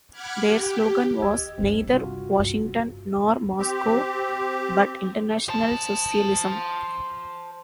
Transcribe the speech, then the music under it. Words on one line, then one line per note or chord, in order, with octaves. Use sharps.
Their slogan was "Neither Washington nor Moscow but International Socialism".
F#5 B5 D6 F6 F#6 G#6
G4
D#2 D#5 E6 G#6
G#1 G2 C4
C3 F4 F#4
G2
C4 G4
C5 A5